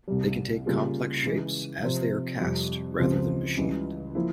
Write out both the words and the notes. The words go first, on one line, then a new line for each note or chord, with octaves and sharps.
They can take complex shapes, as they are cast, rather than machined.
C2 C3 G3
C#3 G3 A#3 F4 G#4
C#3 E3 G#3
C3 F3 C4
F2 C3 G3
C#2 C#3 F3 C4 G4
C#2 C#3 E3 G3
F3 A#3 E4